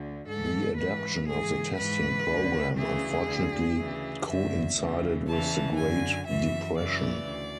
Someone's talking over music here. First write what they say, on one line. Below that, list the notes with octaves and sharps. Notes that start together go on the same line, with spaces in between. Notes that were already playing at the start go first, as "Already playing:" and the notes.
The adoption of the testing program unfortunately coincided with the Great Depression.
Already playing: D2 D3
G#2 E3 A4
G#2 E3 B4
G#2 E3 G#4
G#2 E3 B4
D2 D3
D2 C#3 E3 G#4
D2 D3
D2 C#3 E3
F#2 D3 E5
D2 C#3 E3
E2 C#3 E3 A5
F#2 D3 G#5
F#2 E3 E5
F#2 C#3 E3 D5
D2